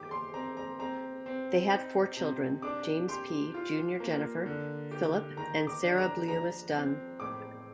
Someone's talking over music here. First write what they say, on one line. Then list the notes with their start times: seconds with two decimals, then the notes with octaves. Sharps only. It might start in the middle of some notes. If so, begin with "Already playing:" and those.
They had four children: James P., Junior Jennifer, Philip, and Sarah Bliumis Dunn.
Already playing: D#3 G4 D6
0.11 C6
0.34 C4 A#5
0.57 A#5
0.79 C4 A#5
1.26 C4
1.71 D#4
2.17 C3
2.62 D4 D6
3.08 G4 C6
3.54 F4
4.00 A#3
4.46 D3
4.91 G4
5.37 D#3 A#5
5.67 D6
5.82 D4
5.98 A#5
6.28 F3 A#5
6.74 C4
7.20 A2 D6